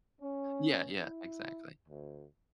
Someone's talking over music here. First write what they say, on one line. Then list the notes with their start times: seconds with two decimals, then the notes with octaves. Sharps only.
Yeah, yeah, exactly.
0.21 C#4
0.99 E4
1.88 D2